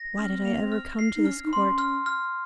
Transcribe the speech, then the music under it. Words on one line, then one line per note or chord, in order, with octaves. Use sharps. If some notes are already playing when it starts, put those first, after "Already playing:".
Why did I ever come to this court?
Already playing: A#6
C#4 F6
C4
A#3 F7
C4
F6
C7
D#4
C#4 F6
D#4
C4 C6
C#4
F6
F6